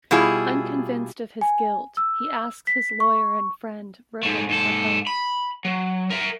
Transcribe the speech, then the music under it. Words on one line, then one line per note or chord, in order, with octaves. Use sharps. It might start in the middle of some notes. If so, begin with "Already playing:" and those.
Unconvinced of his guilt, he asks his lawyer and friend Rohit for help.
B2 G3 E4 F4 G#4
G#5
E6
B6
C#6
G#2 A3
G#2 A4
B5
F#3
A#4 E5